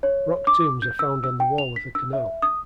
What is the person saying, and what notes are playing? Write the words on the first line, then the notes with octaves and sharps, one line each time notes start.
Rock tombs are found on the wall of the canal.
C#5
D6
G6
E6
E6
G5
F7
B6
E6
E5
D#6